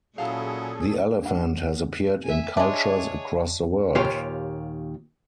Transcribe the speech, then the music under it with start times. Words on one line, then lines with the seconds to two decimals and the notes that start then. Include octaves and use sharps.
The elephant has appeared in cultures across the world.
0.18 A#2 F#3 C#4 E4 G#4 A4 F5
1.23 D4 F#5
2.24 E5 G#5
2.57 G#3 D4 G#4 C#5 E5 A5
3.95 D#2 A#2 F4 G4 C5 C#5